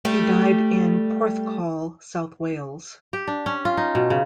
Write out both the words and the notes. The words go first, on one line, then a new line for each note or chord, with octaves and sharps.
He died in Porthcawl, south Wales.
G3 A3
G4
D4
C#4
F4
D#4
B2
C#3